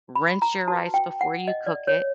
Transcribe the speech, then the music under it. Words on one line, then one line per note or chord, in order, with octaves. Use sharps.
Rinse your rice before you cook it,
B5
A#5
F#4 B4 A5
G5
F#5
D#5
D5
C#5